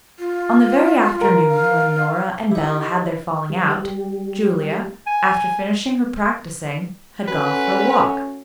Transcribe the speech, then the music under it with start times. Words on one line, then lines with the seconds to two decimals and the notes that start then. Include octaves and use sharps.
On the very afternoon when Nora and Belle had their falling out, Julia, after finishing her practising, had gone for a walk.
0.19 F4
1.21 A#4
1.49 F5
2.51 D#4 E4 G4
3.50 G3
5.07 G#5
7.28 A3 C#4 F#4 B4